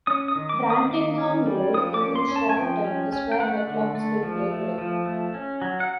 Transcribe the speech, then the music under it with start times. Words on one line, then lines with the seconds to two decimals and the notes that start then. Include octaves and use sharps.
Brantingham Road in Chorlton is where the club still play today.
0.07 C#4 D#6
0.28 D#6
0.35 D#3
0.49 D6
0.62 A#3
0.70 D#6
0.91 D#3 D6
1.18 C#4
1.46 G3
1.74 F3 D#6
1.94 D6
2.01 C#4
2.16 C6
2.28 C#4
2.36 A5
2.49 G#5
2.57 F3 G5
2.85 C#4
3.13 C#4
3.32 G5
3.40 A3 F#5
3.67 D3
3.95 A3
4.23 F3
4.51 A3
4.78 F3
5.06 A3
5.34 C#4
5.62 F#3
5.80 F#5